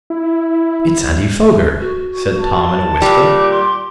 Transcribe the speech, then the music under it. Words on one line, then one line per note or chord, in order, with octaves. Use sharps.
"It's Andy Foger!" said Tom, in a whisper.
E4
F#4
A5
A#2 G3 D6
C6